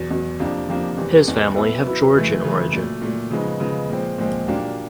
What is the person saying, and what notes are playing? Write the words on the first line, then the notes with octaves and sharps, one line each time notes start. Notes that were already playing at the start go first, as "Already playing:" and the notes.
His family have Georgian origin.
Already playing: E2 B2 F#3
E2 B2 F#3
F2 C3 F3 A#3 D4
F2 C3 F3 A#3 D4
E2 C3 E3
E2 C3 E3
B2 F#3 B3 E4
B2 F#3 B3 E4
F#2 C#3 E3 A3
F#2 C#3 E3 A3
A#2 F#3 A3
A#2 F#3 A3
C#3 F3 G#3 B3 D#4
C#3 F3 G#3 B3 D#4
A#2 F3 G#3 C4
A#2 F3 G#3 C4
A#2 F#3 A#3 D4 G4